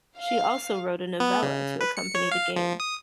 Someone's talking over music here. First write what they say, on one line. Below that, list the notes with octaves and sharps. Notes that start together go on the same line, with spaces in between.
She also wrote a novella to accompany the game.
F5
B3
C#3
B4
C#7
C#5
F5
F3
D#6